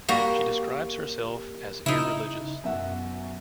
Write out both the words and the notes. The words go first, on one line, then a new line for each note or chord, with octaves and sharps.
She describes herself as irreligious.
G3 A#3 F#4 G4 A#4
C#3 D#4 E4
F#2 B2 E5 F#5